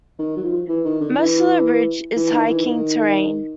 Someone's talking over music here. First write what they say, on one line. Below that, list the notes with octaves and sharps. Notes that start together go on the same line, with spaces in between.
Most of the ridge is hiking terrain.
D#3
F#3
F3
E3
D#3
D3
E3
E3
D#3
E3
D#3